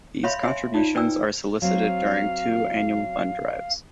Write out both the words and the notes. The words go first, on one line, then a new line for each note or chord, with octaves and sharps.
These contributions are solicited during two annual fund drives.
C#5 E5 F5 B5 C6
E5 G#5 C6
D#4 F4 D5
B4 D5 G5 G#5 E6
F#3 C4 F5